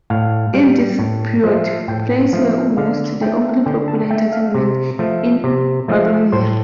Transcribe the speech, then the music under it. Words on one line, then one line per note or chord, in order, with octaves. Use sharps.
In this period, plays were almost the only popular entertainment in Wallonia.
A2 F5
G3
A2
F3 A3
A2 G5
F3 A3
D3 F5
A3 G5
D3 G5
A5
A3 G5
F5
C3
F3 A3
C3
F3 A3
A2 C5